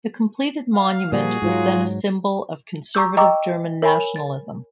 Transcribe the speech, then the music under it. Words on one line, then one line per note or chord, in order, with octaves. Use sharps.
The completed monument was then a symbol of conservative German nationalism.
F5
A#2 F3 G3 F#4 G#4
G#2 F#3 F4
A#5 C#6 D6 E6 G6
D#5 G5 A#5 C#6 D6 E6
A#4 C#5 G#5 B5
A6